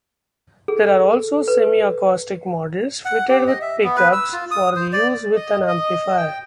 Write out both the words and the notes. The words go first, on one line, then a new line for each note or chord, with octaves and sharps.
There are also semi-acoustic models, fitted with pickups, for use with an amplifier.
G#4 A4
B4
F#5
G4
D#5
E5
B3
B4
E6
F4
D#6
C5
D5
D#5
D#5
G5